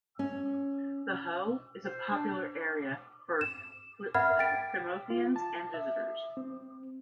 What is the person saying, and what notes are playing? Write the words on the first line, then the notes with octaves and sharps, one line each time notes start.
The Hoe is a popular area for Plymothians and visitors.
C#4
C5
D4
E7
A#4 E5 F#5 B5 F6 G#6
G5 A6 B6 D7
F4
A5
E5
C4